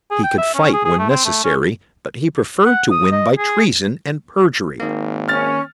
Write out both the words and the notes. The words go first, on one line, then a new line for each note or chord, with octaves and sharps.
He could fight when necessary, but he preferred to win by treason and perjury.
G#4
G5
E5
C#4
G#4
G#4
A3
C4
A3
C#4
F#5
D#6
D#5
G#4
G#1 D#3 A#3
C#4 F6 A6